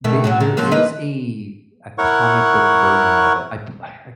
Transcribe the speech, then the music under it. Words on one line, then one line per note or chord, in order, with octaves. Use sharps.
the there is a a comic book version of it. I pu I
B2 D#3 A3
A2 F#3 F#4
D#3
F3 F#3 A#3
A#3 B4 D#5
E4 A#4 C#5 F#5 C#6